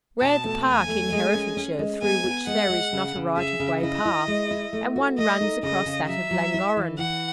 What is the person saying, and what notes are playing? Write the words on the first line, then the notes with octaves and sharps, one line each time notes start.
Rare the park in Herefordshire through which there is not a right-of-way path, and one runs across that of Llangorren.
B2 A5
A3
E2 G#5
A3
G#3
C#4
C#4
G#3
B3 G#5
B3
G#3 F#5
G#3
C#3
C#3
G#4 E5
C#3
E4 D#5
E4
G#3
E4
A3
F#4
A3 D#5
D#4
C#3 D#5
C#3
F#3 E5
F#3
E4
E3
E3 F#5